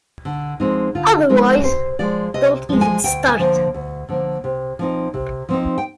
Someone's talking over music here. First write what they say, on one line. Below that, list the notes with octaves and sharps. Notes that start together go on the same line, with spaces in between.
Otherwise, don't even start.
D3
F3 G#3 C4 D#4
D3 F4
F3 G#3 C4 D#4 A#4
C3 C5
F3 G#3 D5
C3 D#5
F3 G#3
G#5
D2 G5
G#5
D3 F3 A#3
D2
D3 F3 A#3
C3
F3 C4 D#4
C3
F3 C4 D#4
G5